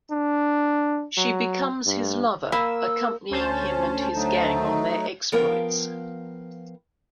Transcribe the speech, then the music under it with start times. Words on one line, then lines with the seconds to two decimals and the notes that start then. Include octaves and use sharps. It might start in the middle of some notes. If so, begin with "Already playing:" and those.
She becomes his lover, accompanying him and his gang on their exploits.
0.11 D4
1.17 F#3
1.86 G2
2.52 A#3 B5 E6
3.31 D2 C#4 C5 A5
4.15 F#3 A3 D#4
5.32 F3 B3 A#4 F5 G5